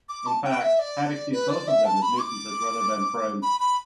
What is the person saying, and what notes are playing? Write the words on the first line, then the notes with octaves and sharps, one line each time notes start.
In fact, Haddock sees both of them as nuisances rather than friends.
D6
A5
G5
E5
D5
B4
D5
E5
A5
B5
D6
B5
B5